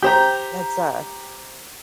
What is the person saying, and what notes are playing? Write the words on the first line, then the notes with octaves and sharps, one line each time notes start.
that's a
G4 C5 G5 A#5